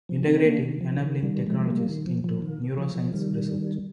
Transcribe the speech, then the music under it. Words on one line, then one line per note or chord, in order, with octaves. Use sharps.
Integrating Enabling Technologies Into Neuroscience Research.
F3
C4 D#4
A#3 D4
D#3
F3
D#3
D#3 G3
F3 G#3
G3 A#3
D#3
F3
F3
D#3
F3
F3
D#3 G3